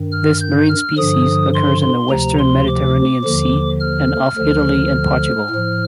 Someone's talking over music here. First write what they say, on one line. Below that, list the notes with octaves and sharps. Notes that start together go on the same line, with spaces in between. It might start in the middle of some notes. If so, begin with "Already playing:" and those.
This marine species occurs in the Western Mediterranean Sea and off Italy and Portugal.
Already playing: G2 D#3
F6
G6
F6
G2 D3 F3 D#6
C6
C6
D2 C3 F3 A#5
C6
D6
D#2 D3 F3
F6
D2 D3 F3
A2 F3